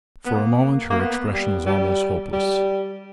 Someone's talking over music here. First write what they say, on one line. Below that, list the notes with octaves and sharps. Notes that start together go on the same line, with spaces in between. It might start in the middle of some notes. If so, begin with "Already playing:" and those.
For a moment her expression was almost hopeless.
B3
A#3
A#3
B3
G3
G3
G3